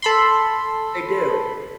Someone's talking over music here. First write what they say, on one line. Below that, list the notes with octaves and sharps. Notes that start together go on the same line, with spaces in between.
They do.
A4 B5 C6